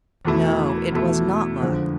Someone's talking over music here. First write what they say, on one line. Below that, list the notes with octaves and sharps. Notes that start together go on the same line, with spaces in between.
No, it was not luck.
E2 B2 A3 E4
E2 B2 A3 E4
F2 D3 F3 G#3